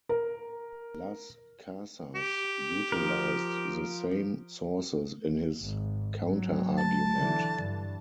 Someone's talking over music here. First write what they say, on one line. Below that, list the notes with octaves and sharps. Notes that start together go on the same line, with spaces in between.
Las Casas utilized the same sources in his counterargument.
A#4
G4
F3 A#4
G#1
F#3
A5
D3 E3
G2